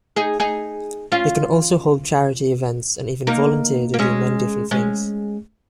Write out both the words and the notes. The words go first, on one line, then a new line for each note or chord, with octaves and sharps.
They can also hold charity events and even volunteer to do many different things.
D#4 G#4
D#4 G#4
C#4 F4
A#3 D#4
A#3
G#3 C#4
G#3 C#4